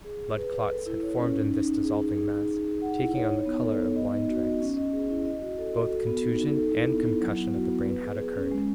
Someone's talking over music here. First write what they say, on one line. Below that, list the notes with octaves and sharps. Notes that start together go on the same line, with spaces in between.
Blood clots had formed in this dissolving mass, taking on the color of wine dregs. Both contusion and concussion of the brain had occurred.
G#4
G#4
B4
B4
A4
E4
C#5
C#4
D#4
D#4
D#4
G#4
D#4
G#4
D#4
D#4
G#4
F#5
E4
C#5
D#4
B3
A4
B3
D#5
D#4
F#4
D#5
C#4
D#5
G#4
E4
D#5
F#4
A4
F#4
A4
B3
D#4
D#4
A4
E4
B3
E4
F#3
B3
F#4
B3
B4
G#4
G#4
C#4
G#3